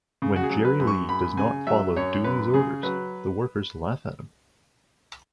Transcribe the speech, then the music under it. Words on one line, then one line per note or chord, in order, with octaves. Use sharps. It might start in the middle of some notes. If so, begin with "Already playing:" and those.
When Jerry Lee does not follow Dooley's orders, the workers laugh at him.
C#3
F#4
G#4
F#3
B4
F#2
C#6
F#2 B5
C#3 G#5
F#3 E5
F#2 C#5
F#2 B4
C#3 G#4
F#3 B4